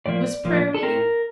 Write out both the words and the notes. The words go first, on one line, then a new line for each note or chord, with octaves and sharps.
"Was prayer-meeting?"
A2 F3 A#3 D5
A2 F3 A#3
A4
A2 A3 C4 A#4